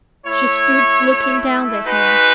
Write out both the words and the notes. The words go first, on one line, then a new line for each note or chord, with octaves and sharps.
She stood looking down at him.
A3 E4 C#5
G#3 D#4 F#4 B4